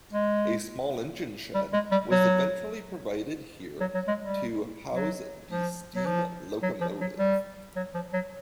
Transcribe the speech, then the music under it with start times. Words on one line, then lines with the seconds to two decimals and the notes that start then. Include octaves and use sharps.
A small engine shed was eventually provided here to house the steam locomotive.
0.13 G#3
1.54 G3
1.73 G#3
1.92 G3
2.11 F#3
3.80 F#3
3.95 F#3
4.08 G#3
4.23 G3
4.93 F#3
5.50 F3
5.96 F#3
6.06 F3
6.63 F#3
6.81 F3
7.01 F#3
7.19 G3
7.76 F#3
7.94 F3
8.13 F#3